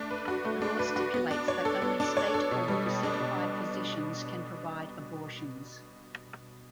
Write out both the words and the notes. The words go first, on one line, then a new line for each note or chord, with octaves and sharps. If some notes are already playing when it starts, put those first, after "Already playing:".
The law stipulates that only state board certified physicians can provide abortions.
Already playing: A3 D4
B4
F#4
A3
D4
B4
F#4
B3
D4
C#5
A4
B3
D4
C#5
A4
B2
G3
B2
D4
B2